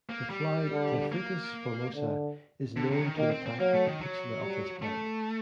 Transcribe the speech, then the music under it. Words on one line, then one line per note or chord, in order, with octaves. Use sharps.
The fly "Tephritis formosa" is known to attack the capitula of this plant.
A#3
G3
D3
A#3
D3
D3
C3
F#3
D#3
D#3 A#3
C4
C4
F#3 A#3
A3
D#3
F#3
G3
A3